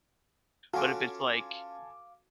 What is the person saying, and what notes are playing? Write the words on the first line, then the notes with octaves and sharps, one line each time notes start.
but if it's, like,
C#4 F4 F#4 A4 F5 G#5 C6 D6